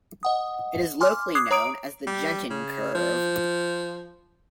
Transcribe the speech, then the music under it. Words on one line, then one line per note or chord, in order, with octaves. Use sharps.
It is locally known as the Genting Curve.
D#5 F#5 D#6
G#5 C6 D6 F6
D6 D#6 F#6 G#6 C7
C#5 A#5 D#6 D7
G3
C#3
F3